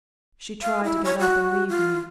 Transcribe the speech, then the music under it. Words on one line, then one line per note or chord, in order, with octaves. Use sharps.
She tried to get up and leave me.
F5
E4
C#5
F#4
F4